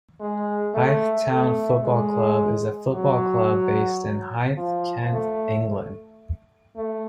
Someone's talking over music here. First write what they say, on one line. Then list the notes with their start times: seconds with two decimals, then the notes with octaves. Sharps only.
Hythe Town Football Club is a football club based in Hythe, Kent, England.
0.21 G#3
0.74 A3
1.29 A3
1.84 G#3
2.94 F#3
4.57 F3
5.13 A3
6.76 A3